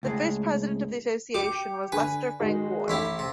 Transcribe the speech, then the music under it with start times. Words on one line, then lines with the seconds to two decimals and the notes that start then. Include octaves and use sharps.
The first president of the association was Lester Frank Ward.
0.03 C#2 A2 G#3
1.35 G4 D6 C#7
1.92 D3 B4 G#5
2.40 D#3 G#3 F#4
2.88 A1 E4 G4
3.19 C3